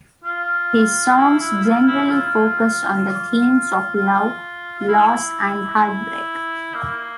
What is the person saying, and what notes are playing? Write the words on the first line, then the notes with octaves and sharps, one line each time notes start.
His songs generally focus on the themes of love, loss and heartbreak.
F4
E4
E4
F4
E4
F4
F4
F4
E4
A#3